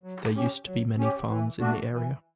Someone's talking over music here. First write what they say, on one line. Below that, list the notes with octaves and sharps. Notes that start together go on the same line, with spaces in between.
There used to be many farms in the area.
F#3
C#4 G4
F#3
C#4 G4
E3
A3 D4 F#4
E3